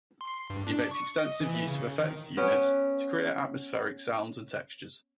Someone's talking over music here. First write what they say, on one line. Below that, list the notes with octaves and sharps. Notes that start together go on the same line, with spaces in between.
He makes extensive use of effects units to create atmospheric sounds and textures.
C6
G2
D4
C#6
D#5
E3
C#3
D#3
B3 C#4 B4 G5